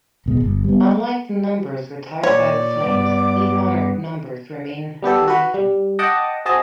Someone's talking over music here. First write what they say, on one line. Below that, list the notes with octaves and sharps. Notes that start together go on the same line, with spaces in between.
Unlike the numbers retired by the Flames these honoured numbers remain in circulation.
D1 B2 G#3
G1
G3 B3
A#2 C#5 D5
G2 B3 D6
G3 B3 G4 A4
F#4 B4
G3
D#5 F#5 G5 A5 D6 D#6
C4 F#4 G#4 D#5 A5